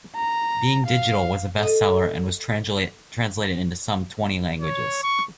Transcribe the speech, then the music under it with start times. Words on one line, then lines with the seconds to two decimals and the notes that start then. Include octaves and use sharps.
"Being Digital" was a bestseller and was translated into some twenty languages.
0.16 A#5
0.87 F5
1.58 A4 D#5
4.61 C#5
5.03 C#6